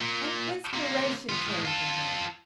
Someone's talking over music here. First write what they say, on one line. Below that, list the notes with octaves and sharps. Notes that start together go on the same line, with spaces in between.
An inspiration came to her.
A#2
C3 A#3
B3 F4
A2 G#3
F4 A4